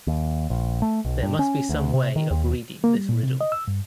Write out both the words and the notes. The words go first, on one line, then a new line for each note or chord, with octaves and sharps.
There must be some way of reading this riddle.
D#2
A#1
A3
B1
G2
C#4
D2
C3
D#3
D#2
A#3
G3
A#2
C3
D#5
E6
G2